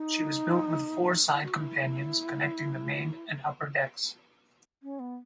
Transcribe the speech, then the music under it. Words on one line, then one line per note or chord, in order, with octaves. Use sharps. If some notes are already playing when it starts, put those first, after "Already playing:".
She was built with four side companions connecting the main and upper decks.
Already playing: D#4
E4
F#4
E4
C#4
B3